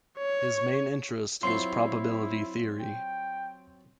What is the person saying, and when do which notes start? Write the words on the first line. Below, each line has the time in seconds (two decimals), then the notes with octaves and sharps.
His main interest was probability theory.
0.18 C#5
1.43 F#3 C4 E4 F4 C6 C7
2.80 G5